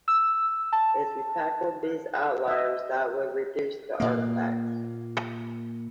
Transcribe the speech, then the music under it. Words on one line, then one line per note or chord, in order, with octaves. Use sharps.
If you tackled these outliers that would reduce the artifacts.
E6
A5
D#5 E5
A#2 A#3